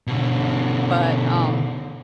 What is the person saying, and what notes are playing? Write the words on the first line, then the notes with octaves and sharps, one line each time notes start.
but, um
B2 D3